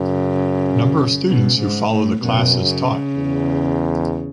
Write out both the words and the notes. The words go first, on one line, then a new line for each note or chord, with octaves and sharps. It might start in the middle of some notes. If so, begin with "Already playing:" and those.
Number of students who follow the classes taught.
Already playing: F#2 C#3
B2
G#2
A2
F#2 B2
C#3
E2